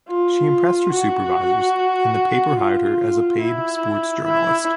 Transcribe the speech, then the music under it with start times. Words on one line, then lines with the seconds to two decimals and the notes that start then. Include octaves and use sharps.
She impressed her supervisors, and the paper hired her as a paid sports journalist.
0.09 F4
0.92 F#4
2.59 F4
3.42 E4
4.25 E4